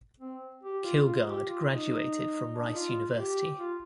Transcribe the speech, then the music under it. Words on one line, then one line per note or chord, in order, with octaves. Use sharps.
Kilgard graduated from Rice University.
C4
G4
F4
F4
G4
F4
D#4
D4
D#4
F4
G4
F4